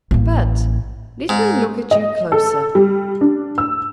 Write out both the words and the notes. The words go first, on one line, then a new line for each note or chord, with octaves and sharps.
But let me look at you closer.
A1 A#3
G#2
D#5
A4
G3
D4
E6